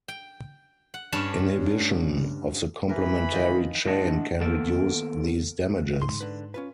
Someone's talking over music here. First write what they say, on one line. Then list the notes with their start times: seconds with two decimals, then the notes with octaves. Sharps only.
Inhibition of the complementary chain can reduce these damages.
0.08 G5
0.94 F#5
1.12 G2 C#4 D4 C#5 A5
2.89 E3 A#4 B5
3.32 D#3 F3 D#5
3.86 A2 D4 D#5 F#5 A5
4.40 D#3 A#3 B3 A4 A#4
6.02 G#2 C6
6.21 D3 B4
6.54 C#4 F4 B4